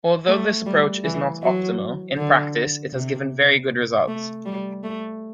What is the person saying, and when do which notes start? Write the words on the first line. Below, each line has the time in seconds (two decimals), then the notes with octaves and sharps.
Although this approach is not optimal, in practice it has given very good results.
0.28 A3
0.66 G3
1.04 E3
1.42 F#3
2.17 D3
2.94 C3
4.08 A3
4.45 G3
4.83 A3